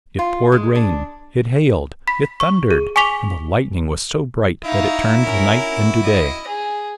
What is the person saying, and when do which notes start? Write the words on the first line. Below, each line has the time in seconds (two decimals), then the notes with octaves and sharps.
It poured rain, it hailed, it thundered, and the lightning was so bright that it turned the night into day.
0.19 F4
0.52 G#3
0.75 D4
2.07 B5 B6
2.40 C#6
2.71 G#4
2.96 G#5 C#6 D6 B6 F7 G7
4.65 D#4 E4 F#4 E5 F5
5.23 C#4 A#4
6.04 D#5
6.48 G#4